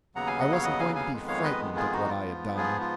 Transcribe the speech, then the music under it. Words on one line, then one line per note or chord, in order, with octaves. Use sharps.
I wasn't going to be frightened at what I had done.
D#2 C#3 F#3 B3 F#5 A#5
F5 G#5
D#5 F#5
C#5 F5
D#5 F#5
F5 G#5
F5 G#5
F2 D#3 G#3 B3
C#5 F5
B4 D#5
F4 G#4
D#4 F#4
G#2 F3 B3 F4
F4 G#4
F4